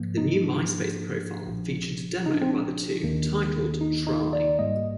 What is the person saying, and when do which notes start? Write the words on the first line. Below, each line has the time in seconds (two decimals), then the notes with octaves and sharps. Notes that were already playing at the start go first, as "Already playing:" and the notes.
The new Myspace profile featured a demo by the two, titled Try.
Already playing: G#2 F3 A#3
0.17 D#4
0.43 D4
1.47 A#1 A#2 F3
2.26 D#4
2.33 D4
2.41 C4
2.50 D4
3.03 D#2 D#3 A#3
3.81 D#4
4.07 D#4
4.33 D5
4.59 G#1 G#2 G3 A#3 D#5